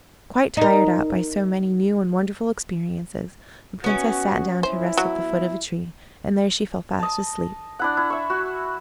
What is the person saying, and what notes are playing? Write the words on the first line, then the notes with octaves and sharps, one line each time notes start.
Quite tired out by so many new and wonderful experiences, the Princess sat down to rest at the foot of a tree, and there she fell fast asleep.
D#4 A#4
B3 C#4 F#4 E5
E4 C5
F#3
D#5 A5
D4 E4 F#5
E4
E5 C#6
F#4